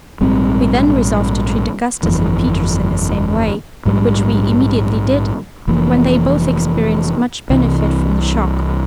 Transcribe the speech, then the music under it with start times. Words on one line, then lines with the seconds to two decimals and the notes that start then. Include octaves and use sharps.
We then resolved to treat Augustus and Peters in the same way, which we immediately did, when they both experienced much benefit from the shock.
0.21 A#1 G#2 G3 C4
2.03 G1 F2 E3
3.85 A#1 G#2 G3
5.67 F1 F2 E3 A#3
7.50 C2 C3 E3